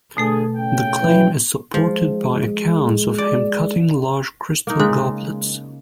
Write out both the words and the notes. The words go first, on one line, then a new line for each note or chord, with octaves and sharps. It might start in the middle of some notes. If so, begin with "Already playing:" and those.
This claim is supported by accounts of him cutting large crystal goblets.
B2 D3 A3 G#4 A4
C#3 G5
E3
F3 G#3
D5
A#3 D#4
C#3 G#3